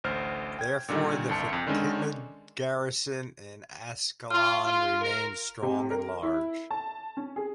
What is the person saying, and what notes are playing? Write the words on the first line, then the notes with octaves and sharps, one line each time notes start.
Therefore, the Fatimid garrison in Ascalon remained strong and large.
A1 D2 C5 F6
G5 G#6
A#2 D3 D#3 G3
G1 C2 A5 C#7
F2 C#7
D3 D#3 G#3 C#4 D4
F4
F4
A#4
C3
A#4
E4
A5
C#4
G#4